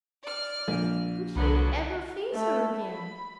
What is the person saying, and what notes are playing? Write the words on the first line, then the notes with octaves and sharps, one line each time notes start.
Could he ever face her again?
D5 F6
A#1
C2 D3 F#3 B3
A3
B5